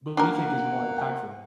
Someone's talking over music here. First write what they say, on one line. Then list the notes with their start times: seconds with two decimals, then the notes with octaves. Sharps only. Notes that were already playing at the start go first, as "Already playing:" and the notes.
What do you think is more impactful?
0.17 A#3 D4 F#4 A#4 F#5